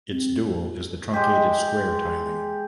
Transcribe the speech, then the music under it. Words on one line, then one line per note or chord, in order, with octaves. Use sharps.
Its dual is the truncated square tiling.
C4
G#3 G4